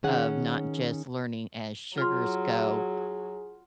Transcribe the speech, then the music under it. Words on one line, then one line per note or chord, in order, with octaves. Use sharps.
of not just learning as sugars go,
D#3 C#4 G#4 F#5
F#3 F4 G#4 C6 F6